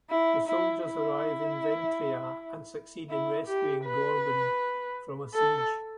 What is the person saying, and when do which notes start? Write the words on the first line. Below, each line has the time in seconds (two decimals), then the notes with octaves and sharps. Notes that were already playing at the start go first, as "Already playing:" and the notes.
The soldiers arrive in Ventria and succeed in rescuing Gorben from a siege.
0.10 E4
0.48 E4
0.85 E4
3.10 E4
3.47 G4
3.85 B4
5.35 A4